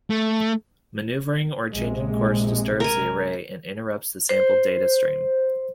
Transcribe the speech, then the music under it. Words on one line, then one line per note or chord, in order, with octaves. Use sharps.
Maneuvering, or changing course, disturbs the array and interrupts the sampled data stream.
A3
A#1 C3 G#3
A#4 G#5
C5